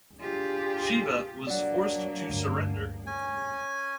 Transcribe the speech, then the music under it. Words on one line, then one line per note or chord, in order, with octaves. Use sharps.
Shiba was forced to surrender.
D4 F4 G4 G#4
F#3 A#3 D4 D5 F#5
D2 G2
C#4 G#5